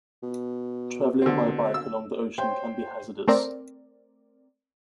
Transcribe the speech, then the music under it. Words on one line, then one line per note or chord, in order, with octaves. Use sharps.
Traveling by bike along the ocean can be hazardous.
B2
D3 C4
E6
C5 C#5 G5 C6
A3 C4 A#4 D5